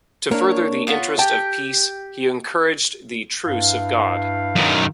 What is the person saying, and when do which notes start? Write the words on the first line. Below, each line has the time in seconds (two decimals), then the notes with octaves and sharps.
To further the interest of peace, he encouraged the Truce of God.
0.31 A#3 D4 C#5
0.87 B3 F4 C#5
1.19 G4 G5 A5
3.45 G2 E4 F5
4.56 F#2 D#3